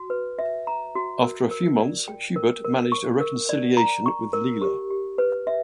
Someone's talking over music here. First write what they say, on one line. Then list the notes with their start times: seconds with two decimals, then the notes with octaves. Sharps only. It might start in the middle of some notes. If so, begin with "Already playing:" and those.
After a few months, Hubert managed a reconciliation with Leila.
Already playing: F#4
0.10 B4
0.39 E5
0.67 A#5
0.95 F#4
1.23 A#4
1.51 A#4
1.80 D5
2.08 G5
2.36 A#4
2.65 A#4
2.92 C#6
3.20 A#4
3.49 D5
3.77 A#5
4.06 C#6
4.33 A#4
4.62 G4
4.90 G4
5.18 B4
5.47 E5